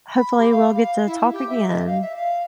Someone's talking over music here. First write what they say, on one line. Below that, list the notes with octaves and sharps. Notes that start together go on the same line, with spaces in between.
hopefully, we'll get to talk again.
B5
G4
F5
F5
E4
E4
G4
E5
D#5
F5
E5
F5